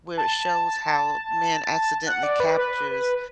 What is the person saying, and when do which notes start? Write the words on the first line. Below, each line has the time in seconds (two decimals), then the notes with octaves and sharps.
where it shows how man accidentally captures
0.17 A5
2.06 F#5
2.23 D5
2.40 B4
2.57 B4
2.91 B4